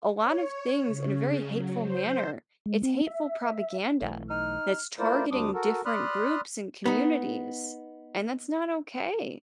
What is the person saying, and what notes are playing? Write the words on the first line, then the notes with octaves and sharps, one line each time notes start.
a lot of things in a very hateful manner, it's hateful propaganda that's targeting different groups and communities, and that's not okay.
C#5
C#3
F#3
C5
G#3
C4
E5
B1 E3 A3
D#4 F6
A3 E4 F4 A#4 C5 D5
D2 G3 C4 D4 D6 D#6
F#4 A4 A#4
D5 B5 C6 D#6 F6 F#6
B3 D#4